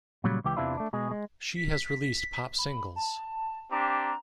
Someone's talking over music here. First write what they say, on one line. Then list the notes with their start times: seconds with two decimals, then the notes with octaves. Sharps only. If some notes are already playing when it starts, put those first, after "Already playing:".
She has released pop singles.
0.24 A#2 C#3 F#3 G3
0.44 C#2 E3 G4 G5
0.56 E2 C3 E3 D4 E4 F4
0.77 A3 D4
0.93 B2 G#3 G#4
1.11 G#3
1.56 B6
2.58 B5
2.96 A5
3.71 C4 D4 G4 A#5